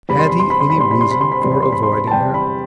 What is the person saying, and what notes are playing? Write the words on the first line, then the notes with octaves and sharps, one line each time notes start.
Had he any reason for avoiding her?
E2 C3 G3 B5
C6
B5
C6
B5
C6
B5
E2 C3 G3 C6
B5
C6
B5
C6
B5
E2 C3 G3 C6
B5
C6
B5
C6
B5
A5
E2 C3 G3 G5
B5